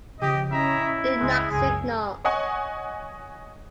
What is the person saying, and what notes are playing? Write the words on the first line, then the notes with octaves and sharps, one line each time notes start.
Do not signal.
C#3 F3 G4 D#5
C#4 E4 D#5 E5 A#5
C#2 G#3
C#2 F#2 C#3 G#4
C#5 D#5 F#5 G#5 C#6